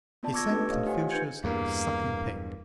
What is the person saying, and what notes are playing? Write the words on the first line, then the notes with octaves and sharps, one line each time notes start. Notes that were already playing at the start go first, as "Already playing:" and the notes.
He sent Confucius a sucking pig.
A#3 B3 F4 D5 A5
C#6 D6 E6 G#6 A#6
A3 C#4 D4 G4 A4 B4
G4 C#5 D#5 F5
F4 G4 C5 F#5 G#5
D#4 B4 G6 G#6 C#7
E2 G2 A#3